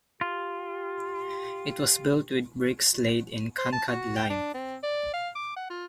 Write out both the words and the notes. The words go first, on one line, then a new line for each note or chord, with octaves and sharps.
It was built with bricks laid in kankad lime.
F4 G4
C5
A5
F#4
G5
D4
C4
D5
F5
D6
F#5
F4